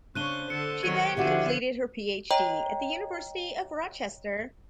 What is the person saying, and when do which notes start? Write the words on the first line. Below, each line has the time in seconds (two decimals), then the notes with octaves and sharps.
She then completed her PhD at the University of Rochester.
0.15 C#3 D4 C5 C#5 F#6 D#7 G7
0.50 D3 A4 C#7
0.83 D#3 F#3 G#6 C#7 D#7
1.17 D3 F3 E4 F#4 G4 D5
2.31 C#5 D#5 G5 A#5